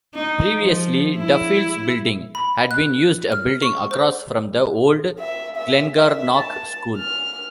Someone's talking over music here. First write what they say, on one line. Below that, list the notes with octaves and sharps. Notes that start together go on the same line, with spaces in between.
Previously "Duffield's Building" had been used, a building across from the old Glengarnock School.
D#4
F3
E4
B5
F#6
F6
C#6
C5
E5
E5
E5
A5
F6